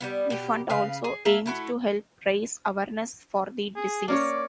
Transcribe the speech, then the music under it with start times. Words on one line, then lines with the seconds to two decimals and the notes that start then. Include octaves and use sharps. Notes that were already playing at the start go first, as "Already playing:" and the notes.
The fund also aims to help raise awareness for the disease.
0.01 G3 G#3 B3
0.30 B2 G4
0.70 C#3 B4 F5
1.04 G#4
1.25 A#3 E4 E5 A5
1.46 A3 E4 F#4
3.77 G#4
4.08 A#3 C#4 C#5 D5